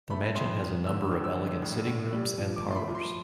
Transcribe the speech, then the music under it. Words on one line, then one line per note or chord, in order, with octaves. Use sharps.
The mansion has a number of elegant sitting rooms and parlours.
A3 B5
F2 C6
F2
D3 E6
F2
E6
D3
A2
A2
G3
F3
D6
A3
C6
B5
F3
C6